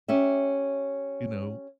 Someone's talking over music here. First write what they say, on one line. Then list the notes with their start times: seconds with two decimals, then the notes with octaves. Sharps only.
you know,
0.08 C#4 G4 E5